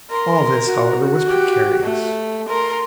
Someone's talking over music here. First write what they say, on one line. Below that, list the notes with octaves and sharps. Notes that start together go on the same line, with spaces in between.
All this, however, was precarious.
A#4 C6
F#4
G4
A3
A#4 C6